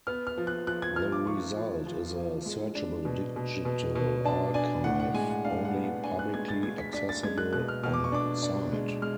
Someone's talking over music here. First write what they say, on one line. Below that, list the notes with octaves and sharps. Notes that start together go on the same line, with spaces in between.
The result is a searchable digital archive, only publicly accessible on site.
B3 F6
F6
F3
F#6
F3 F#6
G#6
F3 F6
D6
F3 C#6
F3
F3
F3
G#3
D4
B2
B2
B2
B2
D4 A5
D4 G#5
A2 F#5
F#5
G#3 G#5
F#5
D4 F5
F#5
B3
F#5
D4 G#5
F#6
G#3 G#6
A6
G#3 G#6
B6
D4 B6
A6
G#3 G#6
F#6
B2 F#6
F6
B2 F6
D6
C#6
D4 D6
D4
G#3
G#3 F6